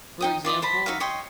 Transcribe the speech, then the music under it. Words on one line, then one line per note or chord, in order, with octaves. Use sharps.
for example,
D#4 G5 D#6
F4 D5 D#5 D#6
C5 A5 B5
D#4 F#4 E5 F5
C#5 D#5 G5 C6